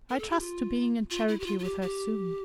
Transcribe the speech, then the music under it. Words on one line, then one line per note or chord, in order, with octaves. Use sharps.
I trust to being in charity with her soon.
A#4
A4
G4
F4
F4
E4
G4
F4
F4
G4
G4